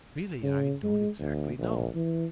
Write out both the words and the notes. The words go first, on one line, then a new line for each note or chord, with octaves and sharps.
"Really, I don't exactly know."
C#3
G#3
D2
A#1
E3